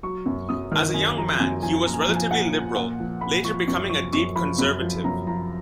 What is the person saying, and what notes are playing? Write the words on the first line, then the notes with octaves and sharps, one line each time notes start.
As a young man he was relatively liberal, later becoming a deep conservative.
F#3 C#6
F#2
F#2 D#6
D#3 F6
F#2 G#5
F3 A#5
F#2 G#5
F3 G#5
A#2 A#5
G#5
A#5
F3
G#5
A#2 F#5
F3
A#2 F#5
F3
A#2 B5
F3 C#6
F#2 C#6
F3 C#6
F#2 C#6
F3 B5
F#2 B5
F3
F#2 A#5
F3 A#5